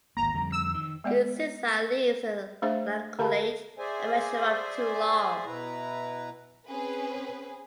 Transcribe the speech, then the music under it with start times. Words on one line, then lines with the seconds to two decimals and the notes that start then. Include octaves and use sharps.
Its sessile leaves are lanceolate and measure up to long.
0.17 G#1 D2 A#3 A#5
0.34 F2 D3 G3
0.52 E6
0.74 D#3
1.04 G#3 B3 D5 F#5
2.62 A3 D4 G#4 C5 D#5 E5
3.19 D3 G4 A#4 F5 A5 B5
3.79 G#4 C5 D5 E5 G#5
5.45 B2 E4 B4 A#5
6.67 C4 C#4 G#4 B4